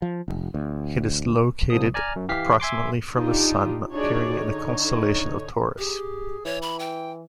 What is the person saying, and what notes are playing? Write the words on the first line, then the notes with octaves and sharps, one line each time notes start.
It is located approximately from the Sun, appearing in the constellation of Taurus.
F3
F1
D2
C2 F3 D#6
D5 G#5 A#5 F6
F#2
E3 G4 F5 B6 C7
E5 G#5 C6 D6
D4 D#4 F4 G4
D4 D#4 F#4 G#4 C#5 D5
D3 D#4 C#5
G4 G#4
E3 C#5
B5
G5